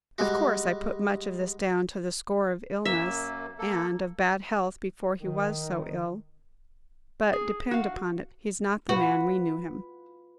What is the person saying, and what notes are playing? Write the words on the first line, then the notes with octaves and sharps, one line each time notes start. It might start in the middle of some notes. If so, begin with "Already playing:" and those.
Of course I put much of this down to the score of illness, and of bad health before he was so ill; but, depend upon it, he's not the man we knew him.
G3 G#3 F#4
F#2 A#3 E5
A#3 A4
D#3
G#4
F#4 F5
F4 F#4 B4